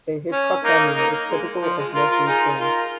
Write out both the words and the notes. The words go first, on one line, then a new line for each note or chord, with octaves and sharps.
A Hitchcock cameo is typical of most of his films.
C#4
A#3 D#4
A#3 D#4
A#3
G#3
F3
G#3
F4 A#4
F4 A#4
D#4 G#4
F4 A#4